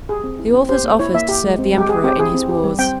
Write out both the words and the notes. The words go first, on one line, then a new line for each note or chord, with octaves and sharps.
The author's offers to serve the emperor in his wars.
G4 G#4
C4
E4
C4
G4 C5
A#3
E4 C#5
A#3 E5
G4
G#3
C4
G#3 G4
G4 G#4
C4 G4
E4 G#4
C4
G4
G3
C4 G5